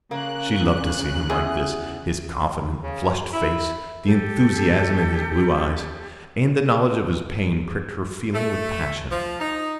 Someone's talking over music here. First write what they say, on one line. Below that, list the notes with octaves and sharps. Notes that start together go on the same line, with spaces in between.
She loved to see him like this, his confident, flushed face, the enthusiasm in his blue eyes; and the knowledge of his pain pricked her feeling with passion.
C#3 A#3 F#6
E2 G#4
C#3
E4
G4 A4
A3
F3
D#4